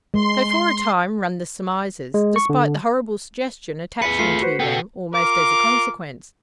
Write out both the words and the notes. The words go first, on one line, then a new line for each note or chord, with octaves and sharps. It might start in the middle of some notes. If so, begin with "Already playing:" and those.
So for a time run the surmises, despite the horrible suggestion attaching to them, almost as a consequence.
G#3 C6
G#3
C#6
D3
G#4 B4 B6 C#7
A3 F4 C7
F#4 B4 C5
B3 F#4 A4 G5
F4 A#4 D6